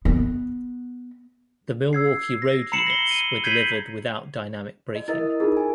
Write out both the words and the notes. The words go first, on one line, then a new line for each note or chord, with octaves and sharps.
The Milwaukee Road units were delivered without Dynamic Braking.
B3
E6 G#6 C7
A#6
A#5 B5 C7 C#7 E7 F#7
A#6 G7
D#7
G6 G#6 B6 C7 D#7 F#7
D#5
E4 A#4 D#5 A6
D#4 F4 G#4 A#4
G#5